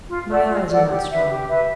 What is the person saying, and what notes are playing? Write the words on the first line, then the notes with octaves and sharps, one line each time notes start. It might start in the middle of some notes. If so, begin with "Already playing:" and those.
"My eyes are not strong."
F4
A4 D5 F#5
F4
A4 D5 F#5
G4
B4 E5
G4
B4 E5